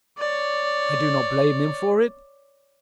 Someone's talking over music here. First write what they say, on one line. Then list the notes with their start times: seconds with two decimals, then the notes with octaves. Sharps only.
'I do not blame him for it.
0.18 C#5 D5